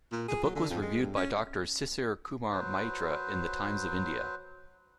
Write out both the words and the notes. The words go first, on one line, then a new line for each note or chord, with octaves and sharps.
The book was reviewed by Doctor Sisir Kumar Maitra in the "Times of India".
A#2
G#4
F#3
D3
F2
G#3
G2
C#4
F#3 B4 C5